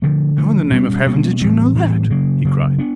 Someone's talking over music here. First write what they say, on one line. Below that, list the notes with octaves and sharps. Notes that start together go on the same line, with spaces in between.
"How in the name of Heaven did you know that?" he cried.
D3 F3 A3
D3 F3 A3
B2 G3 A#3 C#4
B2 G3 A#3 C#4
A2 E3 G3 C4
A2 E3 G3 C4
C#3 F#3 A#3
C#3 F#3 A#3
B3 D4